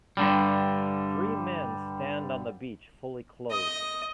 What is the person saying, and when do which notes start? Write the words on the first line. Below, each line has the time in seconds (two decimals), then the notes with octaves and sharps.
Three men stand on the beach, fully clothed.
0.17 G2 D3 G3
3.51 D#5